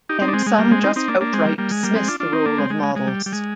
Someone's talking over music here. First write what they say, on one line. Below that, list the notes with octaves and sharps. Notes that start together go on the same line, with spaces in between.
And some just outright dismiss the role of models.
D#4 G4
C4 D#4
D4
G#3 C4
G#3
G3 A#3
G#3 C4
C4 D#4
C4 D#4
A#3 D4
A#3 D4
G#3 C4
G3 A#3
G3 A#3
G#3
G3 A#3
G#3 C4
D4 F4
D4 F4
C4 D#4
A#3 D4
G#3 C4
G#3
G3
G#3
G#3
G3
G3
G#3